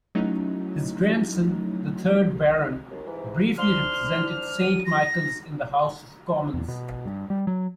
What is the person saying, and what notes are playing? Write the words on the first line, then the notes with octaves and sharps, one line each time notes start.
His grandson, the third Baron, briefly represented Saint Michael's in the House of Commons.
F#3 A3 C#4 D#4 E4
D#2
G#2 C3 E3
D4 C5 C6 F6
D#7
A#6
E2
B2
G2
G3
F#3